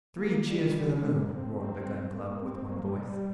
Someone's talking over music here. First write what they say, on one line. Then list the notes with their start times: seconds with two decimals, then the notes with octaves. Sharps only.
"Three cheers for the Moon!" roared the Gun Club, with one voice.
0.17 A#3
0.46 G3
0.61 G3
1.02 G#3
1.16 A#3
1.30 C4
1.58 C4
2.14 A#3
2.29 A#3
2.42 C4
2.70 A#3
2.84 G3